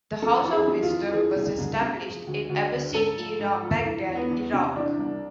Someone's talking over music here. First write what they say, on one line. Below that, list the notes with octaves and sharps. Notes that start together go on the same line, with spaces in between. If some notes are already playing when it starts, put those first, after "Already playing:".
The House of Wisdom was established in Abbasid-era Baghdad, Iraq.
F2 A4
E3
G#4
F2
F4
E3
E3 G#4
C2
C2
C3
F3
D2
D2
D3
G#2 A4
F3
G#2
F3
E3
E2
B3
E2
C3
E3 D4
C2